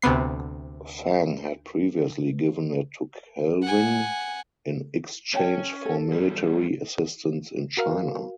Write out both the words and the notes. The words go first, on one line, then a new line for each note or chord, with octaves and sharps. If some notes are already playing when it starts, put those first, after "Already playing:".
Fang had previously given it to Kelvin in exchange for military assistance in China.
D2 C3 B3 C7
F#5 G#5
C#4 C#5 G5 A5
A4
E2 G3
F#4 A#4 F5